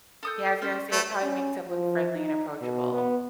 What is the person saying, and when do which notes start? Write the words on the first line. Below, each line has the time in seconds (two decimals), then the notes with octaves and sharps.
Yeah, I was gonna say it probably makes him look friendly and approachable.
0.23 A4 D#6 G6
0.61 C#4 C5
0.92 A3 B4
1.22 C#4
1.68 F3
2.15 D#4
2.61 B2
2.92 B3